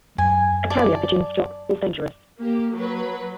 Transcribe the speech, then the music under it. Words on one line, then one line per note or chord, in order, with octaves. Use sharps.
A carrier pigeon's job was dangerous.
F#2 G#5
D5 A5
A#3 G4
F#3 B4